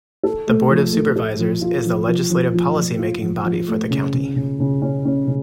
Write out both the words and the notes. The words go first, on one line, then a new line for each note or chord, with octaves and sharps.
The Board of Supervisors is the legislative policy making body for the County.
A4
A3
F3
A3
A4
F3
F4
F3
F3
F3
F3
F3
F4
F3
F3
A3
C#3
C#3
C#3
C#3
C#4
C#4
C#3